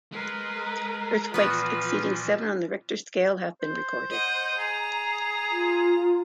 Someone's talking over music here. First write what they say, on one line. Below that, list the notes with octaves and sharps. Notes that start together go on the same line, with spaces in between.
Earthquakes exceeding seven on the Richter scale have been recorded.
G#3 A#4 B4
A#2 E3 F3 B3 F4 F#4 B4
C5
D#5 F#5
G#4 A#5
F4